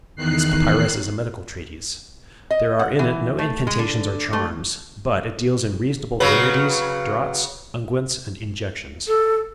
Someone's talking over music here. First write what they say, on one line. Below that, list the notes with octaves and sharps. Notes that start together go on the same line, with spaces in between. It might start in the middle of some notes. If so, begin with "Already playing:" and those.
This papyrus is a medical treatise; there are in it no incantations or charms; but it deals in reasonable remedies, draughts, unguents and injections.
E2 D#3 F#6 C7
D#5
F#5
E3
A3
G#3
D3
A3
C#3 F#3 B4
A4